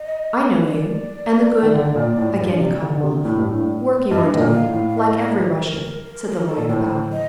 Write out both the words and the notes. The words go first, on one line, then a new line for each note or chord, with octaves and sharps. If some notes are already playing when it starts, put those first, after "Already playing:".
"I know you and the good"--again he caught a moth--"work you are doing, like every Russian," said the lawyer, bowing.
Already playing: D#5
D#5
D5
D#3
D3
A#2
A2
G2
C3
D3
D3
C3
A2
G2
A2
G2 D#5
A2
A#2
F5
A2
F5
D#5
D5
C5
A#4
A#4
A#4
A#4
A4
A#2
A2 C5 D5
D#5